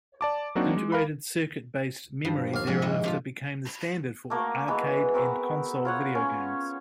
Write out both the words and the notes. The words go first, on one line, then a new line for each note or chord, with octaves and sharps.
Integrated circuit-based memory thereafter became the standard for arcade and console video games.
D5 A5 D6
F#3 A#3 C4 D4 D#4 F#4
G#3
A#4 F5 B5
G2 F3
D#2 F5
A#1 G#2 G#4
D#3 E4 D#5
C3 F3 F4
A3 A#3 F#4
E3 G#3 B3 B4
B3 C4 F#4 A#4
F4 C#5 F#5
C#4